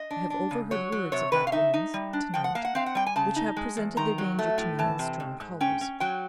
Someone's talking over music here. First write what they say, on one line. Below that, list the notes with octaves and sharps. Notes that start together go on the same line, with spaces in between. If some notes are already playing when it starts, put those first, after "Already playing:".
I have overheard words of that woman's, to-night, which have presented their danger to me in strong colours.
Already playing: D#5
D4
D4
C#3
F#3 C#5
F#3
C3 C#5
C3 B4
F5
D#4 E5
D#4
G3
D4
F3 G5
F#5
A#3 F5
F#5
C4 F5
F#5
G3 G5
G#5
C#3 A5
D#4
G#3
E2
D#3 A#5
F#3
A3
A2
E3 A5
C3
G#2
G#2
C#4 G5
C#4
F#3 G5